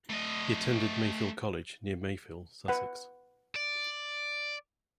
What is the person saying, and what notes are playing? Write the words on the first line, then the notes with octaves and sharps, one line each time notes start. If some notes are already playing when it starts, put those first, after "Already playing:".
He attended Mayfield College near Mayfield, Sussex.
A3 D#5
B4 F#5
D5